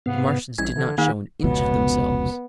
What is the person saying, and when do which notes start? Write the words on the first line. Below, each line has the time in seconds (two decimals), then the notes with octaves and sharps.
The Martians did not show an inch of themselves.
0.06 G#2 C3 B3 F5
0.58 A#1 G#3 C#4 E4 G#6
0.76 D3 E3
0.98 D#3 A#3 D#4 F5
1.44 F1 C#2 B2 B3